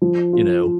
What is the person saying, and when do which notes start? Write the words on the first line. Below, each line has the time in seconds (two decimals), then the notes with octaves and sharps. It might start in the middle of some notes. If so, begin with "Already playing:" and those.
you know,
0.02 F3
0.33 F4
0.64 F4